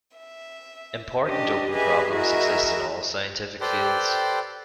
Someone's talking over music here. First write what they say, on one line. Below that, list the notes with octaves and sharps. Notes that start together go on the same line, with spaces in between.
Important open problems exist in all scientific fields.
E5
C#4 D4 G4 D#5
G4 G#4 B4 D#5 E5 G#5
E4 F#4 G#4 A#4 D#5 E5
G4 A4 B4 C5 D5 G5